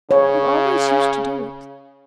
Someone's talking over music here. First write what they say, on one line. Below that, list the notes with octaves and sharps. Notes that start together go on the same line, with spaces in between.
"You always used to do it."
C#3 C#5